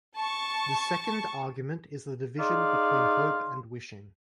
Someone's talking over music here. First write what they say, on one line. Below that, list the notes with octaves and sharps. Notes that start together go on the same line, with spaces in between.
The second argument is the division between hope and wishing.
A5 C#6
D#4 G#4 D5 F5 C6